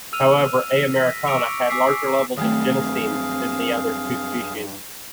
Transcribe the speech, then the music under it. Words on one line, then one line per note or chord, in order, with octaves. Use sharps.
However, "A. americana" had larger levels of genistein than the other two species.
E6 F6 D#7 F7
A#6 B6
C#6 D6 E6 C#7 D7 F7
G#5 D6 E6 B6 C7
G2 D#3 F#3 A3 C4 G#4 F5